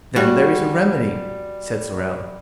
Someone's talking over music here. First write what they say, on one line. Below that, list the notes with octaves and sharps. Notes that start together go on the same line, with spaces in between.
"Then there is a remedy," said Sorel.
G3 F#4